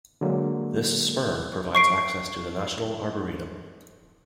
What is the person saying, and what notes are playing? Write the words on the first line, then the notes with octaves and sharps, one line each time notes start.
This spur provides access to the National Arboretum.
D3 F#3 G#3 A#3
C#6 C7 D7